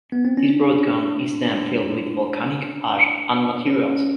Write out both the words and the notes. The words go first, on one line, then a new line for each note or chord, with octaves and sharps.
This broad cone is then filled with volcanic ash and materials.
B3
C4
C#4
D4
C#4